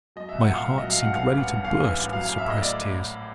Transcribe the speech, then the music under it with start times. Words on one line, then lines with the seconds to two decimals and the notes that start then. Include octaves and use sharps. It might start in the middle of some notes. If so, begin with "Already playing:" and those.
My heart seemed ready to burst with suppressed tears.
0.16 F#3 D#5
0.29 C2 E5
0.41 F#5
0.49 A#2 F5
0.66 C2 E5
0.78 F#3 D#5
0.91 F5
0.98 C2 F#5
1.15 E3 F5
1.31 A1
1.40 F#5
1.47 G2
1.64 A1 F5
1.80 E3
1.97 A1
2.13 F#3 F5
2.25 A1 F5
2.38 E5
2.46 A2 D#5
2.62 D5